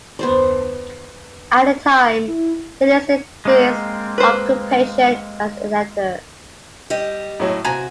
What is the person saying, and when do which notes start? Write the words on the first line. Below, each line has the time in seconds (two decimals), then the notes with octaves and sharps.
At the time, he listed his occupation as "editor".
0.19 B3 C5 D5
2.28 E4
3.45 G#3 A#3 C4
4.18 B4 C5
6.90 G3 G4 D#5
7.40 A2 F#3
7.65 C3 F#4 G#5 A#5